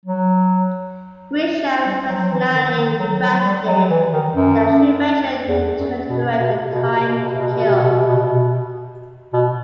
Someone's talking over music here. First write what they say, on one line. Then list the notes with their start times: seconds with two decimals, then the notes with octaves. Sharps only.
Grisham personally requested that Schumacher return to direct "A Time to Kill".
0.05 F#3
1.86 G3
2.09 F#3
2.23 F#3
2.32 E3
2.54 D#3
2.77 D#3
3.00 F#3
3.22 F#3
3.45 G3
3.68 F#3
3.90 E3
4.13 D#3
4.36 F#2
5.49 E2
5.79 F#2
6.09 B2
6.39 B2
6.48 C3
6.56 B2
6.64 C3
6.72 B2
6.81 C3
6.89 B2
6.98 C3
7.07 B2
7.15 C3
7.24 B2
7.32 C3
7.40 B2
7.48 C3
7.57 B2
7.65 C3
7.74 B2
7.82 C3
7.90 B2
7.99 C3
8.07 B2
8.15 C3
8.24 B2
9.33 B2